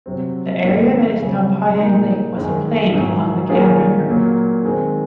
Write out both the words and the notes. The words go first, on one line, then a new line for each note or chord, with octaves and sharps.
The area that is now Poyang Lake was a plain along the Gan River.
C3 F#3 C4
G#2 D#3 A#3
C#3 F#3 C4
A#2 G#3 D#4 G#4
F#2 D#3 G#3
G#2 D#3 F#3
D#3 A#3 C#4 F4 G#4
A#2 F#3 A#3
D#3 G#3 C4